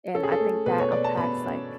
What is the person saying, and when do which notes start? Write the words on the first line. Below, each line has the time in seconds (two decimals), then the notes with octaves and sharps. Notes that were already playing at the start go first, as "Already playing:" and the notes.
And I think that unpacks, like,
0.15 C#4 A4
0.23 G#4
0.32 A4
0.40 A3
0.66 B2 B4
0.79 C#5
0.91 B2 D5
1.04 A5
1.17 B2 B5
1.43 C#4